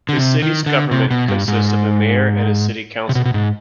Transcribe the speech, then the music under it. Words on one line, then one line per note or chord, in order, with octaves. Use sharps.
The city's government consists of a mayor and a city council.
D3
C3
D#3
D3
C3
B2
G2
G#2
C3
B2
B2
G#2